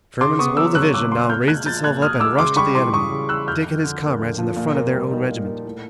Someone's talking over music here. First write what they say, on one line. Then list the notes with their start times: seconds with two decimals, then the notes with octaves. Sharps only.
Sherman's whole division now raised itself up and rushed at the enemy, Dick and his comrades in the front of their own regiment.
0.21 C#3 C6 D6
0.39 B3 C#6 D#6
0.57 F#3 D6 E6
0.75 C#3 E6 F#6
0.93 C#3 D6 E6
1.12 B3 C6 D6
1.30 A#2 F6 G6
1.48 G#3 F#6 G#6
1.66 F3 G6 A6
1.84 A#2 F#6 G#6
2.02 A#2 D#6 F6
2.20 G#3 D6 E6
2.39 C#3 C6 D6
2.56 G3 B5 C#6
2.75 E3 C6 D6
2.93 C#3 C#6 D#6
3.11 C#3
3.29 G3 E6 F#6
3.47 F2 F6 G6
3.66 F3
3.83 D3
4.02 A#3
4.20 F2
4.38 F3
4.56 A#2
4.75 A#3
4.93 G3
5.11 D#4
5.29 A#2
5.47 A#3
5.65 A2